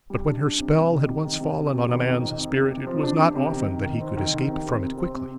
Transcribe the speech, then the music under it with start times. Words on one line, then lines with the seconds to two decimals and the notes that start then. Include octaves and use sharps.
But when her spell had once fallen on a man's spirit it was not often that he could escape from it quickly.
0.10 G3
0.26 D4
0.42 D4
0.59 C3
0.75 G3
0.91 D#3
1.07 C3
1.23 D#3
1.40 C3
1.56 C3
1.73 C3
1.89 D#3
2.06 F2
2.21 D#3
2.38 C3
2.54 C3
2.70 C3
2.87 F3
3.03 D4
3.19 C3
3.36 C3
3.52 D#3
3.68 D#3
3.84 D#3
4.00 C4
4.17 D#3
4.33 D#3
4.50 C3
4.66 C4
4.82 C3
4.98 C4
5.14 C3